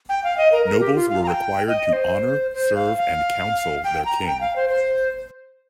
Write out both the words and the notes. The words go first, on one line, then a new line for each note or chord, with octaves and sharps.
Nobles were required to honor, serve, and counsel their king.
G5
F5
D#5
A#4
A#4
G4
F4
F5
A#5
G5
D#5
D#5
C5
C5
F5
F5
G5
A#5
G5
F5
C5
C5